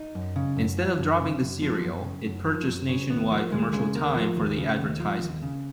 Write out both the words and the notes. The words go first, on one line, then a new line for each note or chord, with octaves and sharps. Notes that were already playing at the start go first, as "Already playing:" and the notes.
Instead of dropping the cereal, it purchased nationwide commercial time for the advertisement.
Already playing: D#4
F#2
C#3
F#2
F3
F#2
C#3
F#2
F3
F#2
C#3
F#2
F3
F#2
C#3
D#2 B3
F3 A#3
D#2 G#3
C#3 G#3
D#2 A#3
F3
D#2
C#3
D#2
F3
D#2
C#3